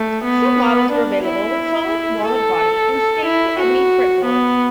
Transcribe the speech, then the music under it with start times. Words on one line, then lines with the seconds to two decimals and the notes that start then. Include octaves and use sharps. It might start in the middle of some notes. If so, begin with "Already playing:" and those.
Some models were available with solid walnut body and stained ebony fretboard.
Already playing: A3
0.24 B3
0.92 D4
1.25 E4
2.26 A4
3.26 E4
3.59 F#4
4.26 B3